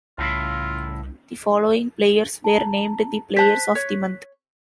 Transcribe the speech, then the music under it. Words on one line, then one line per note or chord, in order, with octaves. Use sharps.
The following players were named the Players of the Month.
C2 A2 C#3 E4 F4
A5 A#5
C5 A5 F#6 B6
C#5